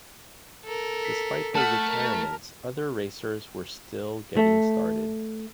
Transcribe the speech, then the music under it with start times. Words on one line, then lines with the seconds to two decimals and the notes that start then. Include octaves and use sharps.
Despite the retirements, other racers were still getting started.
0.65 A4 A#4
1.05 B6
1.55 A3 F#5 A5 F6
1.86 A#4
4.37 A3